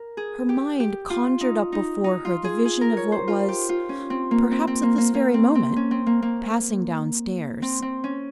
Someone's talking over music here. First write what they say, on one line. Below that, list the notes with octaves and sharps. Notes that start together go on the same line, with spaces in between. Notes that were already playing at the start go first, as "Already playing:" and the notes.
Her mind conjured up before her the vision of what was, perhaps at this very moment, passing downstairs.
Already playing: A#4
G#4
G4
G4
F4
D#4
D#4
D#4
F4
G#4
G#4
A#4
C#5
C5
F4
G4
F4
C#4
C4
A#3
C4
C4
A#3
A#3
A#3
C4
C4
C#4
C4
A#3
A#3
C4
C4
C#4